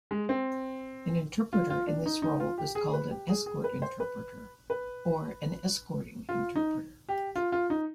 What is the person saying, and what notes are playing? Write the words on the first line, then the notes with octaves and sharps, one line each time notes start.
An interpreter in this role is called an "escort interpreter" or an "escorting interpreter".
G#3
C4
F4
F4
D4
D#4
D#4
F4
G4
G#4
B4
G4
G#4
G#4
B4
C5
B4
B4
F4
D#4
G4
F4
F4
D#4